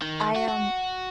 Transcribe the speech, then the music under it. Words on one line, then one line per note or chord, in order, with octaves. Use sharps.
I, um,
D#3
F#4
F#4